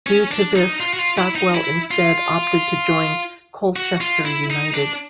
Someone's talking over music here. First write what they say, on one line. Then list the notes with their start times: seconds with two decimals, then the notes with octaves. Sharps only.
Due to this Stockwell instead opted to join Colchester United.
0.07 C#4
0.31 D4
0.56 D#4
0.80 F4
0.94 F#4
0.99 F4
1.18 E4
1.36 D#4
1.54 E4
1.91 F4
3.76 F#4
4.01 F4
4.25 E4
4.50 D#4
4.74 D4